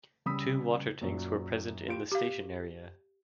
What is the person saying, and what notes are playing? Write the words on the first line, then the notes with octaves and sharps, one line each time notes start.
Two water tanks were present in the station area.
C#3 G3 B5 D#6 E6 B6
F#2 A#2 F#3
F4 G4 D7
G4 F5